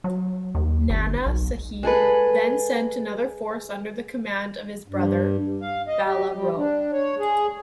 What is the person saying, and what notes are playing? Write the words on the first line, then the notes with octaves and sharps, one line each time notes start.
Nana Sahib then sent another force under the command of his brother, Bala Rao.
F#3
D#2
G1
B1
G#3 G#4 A4 B4
G2
F5
D#5
G4
G3
D4
C#5
G#4